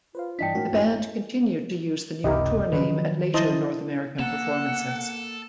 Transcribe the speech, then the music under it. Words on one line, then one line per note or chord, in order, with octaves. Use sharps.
The band continued to use the new tour name at later North American performances.
F4 B4 C5 F5
G2 E3 D4 D5 D#5 G5 A5 B6
A2 F#4 A#4
A1 A2 E4
F#1 C#2 C3 E4 G4 A#4 D#5
D#3 F3 F#3 B4
E4 C5 D#5 A5
A#3 A4 F#5